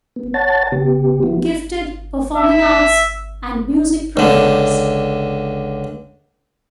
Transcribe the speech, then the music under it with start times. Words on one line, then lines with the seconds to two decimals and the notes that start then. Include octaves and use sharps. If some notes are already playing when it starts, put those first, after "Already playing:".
Gifted, Performing Arts, and Music Programs.
0.16 B3
0.34 C#5 F#5 A5 A6
0.72 C#3 B3 G4
1.23 F3 B3 E4 F#4
2.37 E5
4.17 C#2 D3